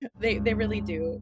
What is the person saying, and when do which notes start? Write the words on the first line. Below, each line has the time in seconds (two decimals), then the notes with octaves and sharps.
They they really do.
0.17 C#2 G2